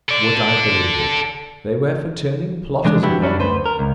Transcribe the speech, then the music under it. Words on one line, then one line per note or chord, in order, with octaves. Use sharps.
Would I believe it! they were for turning plotters upon him.
A4 D5
E3 G#3 D4
F3 B3 D4 E4 F#4 G4
G3 C#4 D4 E4
D2 B4 C5
A#4
C#2